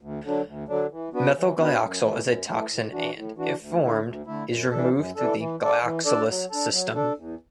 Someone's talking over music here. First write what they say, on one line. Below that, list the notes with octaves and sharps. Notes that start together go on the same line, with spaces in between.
Methylglyoxal is a toxin and, if formed, is removed through the glyoxalase system.
D2
D3 F#3 D4
D2
D3 F#3 D4
E3
B3 D4 F#4 B4
E3
B3 D4 F#4 B4
F#2
E3 A3
F#2
E3 A3
A2
E3 D4 F#4
A2
E3 D4 F#4
D2
D3 A3 E4
D2
D3 A3 E4
F#2
E3 D4 A4
F#2
E3 D4 A4
E3
D4 A4 D5
E3
D4 A4 D5
F#3
D4 A4
F#3
D4 A4
E2